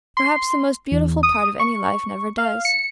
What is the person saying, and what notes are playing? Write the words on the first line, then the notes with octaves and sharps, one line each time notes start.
Perhaps the most beautiful part of any life never does.
C6
E2
D#6
C#6
F5
C#7